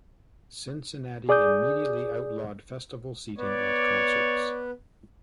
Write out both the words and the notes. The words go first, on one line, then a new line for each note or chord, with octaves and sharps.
Cincinnati immediately outlawed festival seating at concerts.
G#4 D5 D6 D#6 G6
B3 C#5 D5